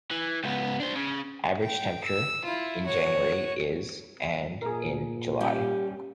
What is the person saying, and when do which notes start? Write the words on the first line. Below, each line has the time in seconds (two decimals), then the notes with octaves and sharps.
Average temperature in January is and in July.
0.11 E3
0.44 C#2 B3
0.80 D4 C5
0.95 C#3
1.61 G5
2.04 E6
2.45 E4 F4
2.86 F#4 C#5
4.62 A#2 G#4 A#4
5.41 G3 C#4 G4